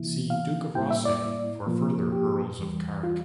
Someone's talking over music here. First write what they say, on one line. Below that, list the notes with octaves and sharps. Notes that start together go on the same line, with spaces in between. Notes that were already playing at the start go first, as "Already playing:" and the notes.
See Duke of Rothesay for further Earls of Carrick.
Already playing: C3 E3 A#3 E4
F5
A2 G3 A#3 E4 G5
E5
D5
A#2 F3 A#3
G4
E2 E3 G3
F4